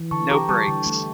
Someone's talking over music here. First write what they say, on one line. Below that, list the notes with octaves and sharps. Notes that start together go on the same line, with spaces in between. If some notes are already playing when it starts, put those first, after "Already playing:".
No breaks.
Already playing: E3
D3 A5 C#6
G4 A#5 D6
G3 A5 C#6
D3
A3